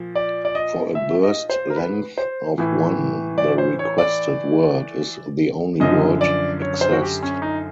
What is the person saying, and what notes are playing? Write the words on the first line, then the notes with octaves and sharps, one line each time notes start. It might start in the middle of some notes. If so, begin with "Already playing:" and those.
For a burst length of one, the requested word is the only word accessed.
Already playing: A#2 F3
D5
D5
D#5
E5
D#5
C5
A#4
B4
C5
A2 E3
D5
C5
C#5
D5
F#2 D3 F3 D#5
D5
C#5
C5
F#4
G4
C#4
D#4